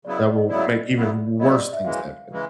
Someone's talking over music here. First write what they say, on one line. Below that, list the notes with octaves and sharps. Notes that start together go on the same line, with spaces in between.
that will make even worse things happen
C#3 F#3 B3 E4 D5
D#5
D5
D#5
C#3 F#3 B3 E4 D5
C#3 F#3 B3 E4
C#3 F#3 B3 E4 D#5
D5
E5
F#2 C#3 E3 G#3 F5
C#3 E3 G#3